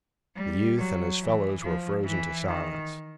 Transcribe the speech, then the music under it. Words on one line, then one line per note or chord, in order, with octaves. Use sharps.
The youth and his fellows were frozen to silence.
G3
F#3
E3
F3
E3
D#3